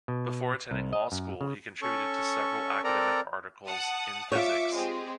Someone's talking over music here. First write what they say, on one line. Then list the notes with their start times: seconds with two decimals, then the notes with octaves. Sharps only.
Before attending law school, he contributed to several academic articles in physics.
0.08 B2
0.71 C2
0.93 D#5
1.12 F#2
1.41 C#3
1.82 C#4 A4 C#6
2.84 C4 A4 A#4 D5 A#5
3.66 F#5 A5 D#6
4.32 F4 C#5 E5 D6 C#7
4.75 G#3 C4 G4